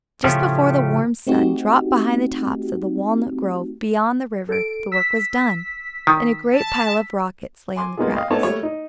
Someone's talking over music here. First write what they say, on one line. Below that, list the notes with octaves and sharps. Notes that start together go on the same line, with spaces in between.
Just before the warm sun dropped behind the tops of the walnut-grove beyond the river the work was done, and a great pile of rockets lay on the grass.
A2 C#3 F3 A3 C#4 G4
A3 C4 D#4 F#4 G4
A4 D7
E6 B6
D#3
A5
G#5 C6 D6
G#3 A#3 B3 D#4 F4 G#4
D#5 F5 G5
A3 B3 C#4 D#4 C#5 A5
G3 A3 A#3 C#5
D#4